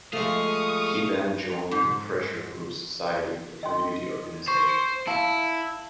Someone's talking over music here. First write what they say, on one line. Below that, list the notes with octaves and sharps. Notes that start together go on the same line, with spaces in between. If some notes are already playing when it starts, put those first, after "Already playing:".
He then joined the pressure group Society for Community Organisation.
F3 G#3 A3 F5 C#6 D#6
G#2
D#5 G5 C6
C5 C#6
E4 F5 A5